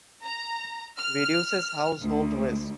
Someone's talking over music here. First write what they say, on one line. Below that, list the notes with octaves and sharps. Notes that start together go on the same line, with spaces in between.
Reduces household waste.
A#5
F6
D2